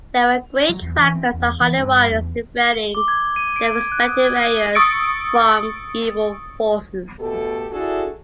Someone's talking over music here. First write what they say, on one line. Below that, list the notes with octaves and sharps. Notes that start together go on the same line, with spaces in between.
They were great trackers and hardy warriors-defending their respective areas from evil forces.
F#3
E2
E3
C4
E2
E3
G2
E2
G7
D6
G#6
D#7
D7
G#6
F#6
D#6
G#6
D#7
C#6 D#6 E6 A6 C#7 D7
B2 A3 G4 A4
D4 E4 F#4 G#4 A4